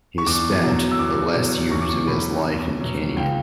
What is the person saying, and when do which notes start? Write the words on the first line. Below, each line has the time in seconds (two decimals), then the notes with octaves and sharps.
He spent the last years of his life in Kenya.
0.18 C#6
0.26 E2 D6
0.62 B2 F#3
0.91 E6
0.99 E2 D6
1.36 B2 F#3
1.71 E2 C#6
1.81 D6
1.89 C#6
2.07 B2 F#3 B5
2.44 E2
2.80 B2 F#3
3.16 C#2 G5